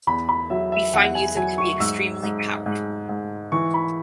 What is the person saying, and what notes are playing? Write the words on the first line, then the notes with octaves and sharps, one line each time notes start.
We find music to be extremely powerful.
E2 B5
B5
F#3 E5
E5
E2 F#5
G#5
F#3 G#5
C#6
G#2 E6
G#2
G#2
G#2
E3 C#6
B5